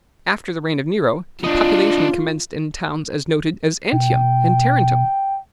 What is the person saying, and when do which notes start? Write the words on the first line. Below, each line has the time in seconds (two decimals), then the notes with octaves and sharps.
After the reign of Nero, depopulation commenced in towns as noted as Antium and Tarentum.
1.44 D4 F4 D#5
3.92 B2 G5